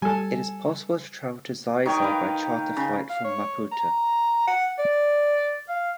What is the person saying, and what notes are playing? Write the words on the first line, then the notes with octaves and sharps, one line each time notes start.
It is possible to travel to Xai-Xai by charter flight from Maputo.
G3 A4 G#5
D#3 C#5 G5
B4 F5
C#3
F5
C#5
A#5
F#5
D5
F5